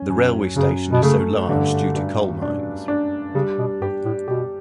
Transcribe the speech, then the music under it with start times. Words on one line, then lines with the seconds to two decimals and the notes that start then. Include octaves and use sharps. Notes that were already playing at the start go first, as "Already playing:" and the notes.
The railway station is so large due to coal mines.
Already playing: C#4
0.09 F#2
0.56 F#2 C#3
0.92 B2
1.02 C#3 A3
1.48 G2 D3
1.95 G2
2.42 D4
2.88 D4
3.35 C#3 G3
3.59 B2
3.81 G2 G4
4.05 A2
4.28 B2 G4